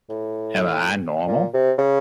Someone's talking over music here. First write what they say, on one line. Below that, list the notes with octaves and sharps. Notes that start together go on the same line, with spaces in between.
Am I Normal?
A2
A#2
C3
C#3